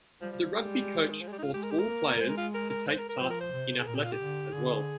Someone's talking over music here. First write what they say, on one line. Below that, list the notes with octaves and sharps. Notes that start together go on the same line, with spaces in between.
The rugby coach forced all players to take part in athletics as well.
F3 G3
F3
F3
G3 G#3
D#3
F3
G#3
G3
D#4
F4
G#3 G4
A#4
G4
A#4
A#3
G#3 C5
A#4
F4
A#4
A#4
C5
A#4
A#4
F3 C5
A#4
C5
C3
G#4
A#2 A#4
G4
F4
G4
D3
D3 G#4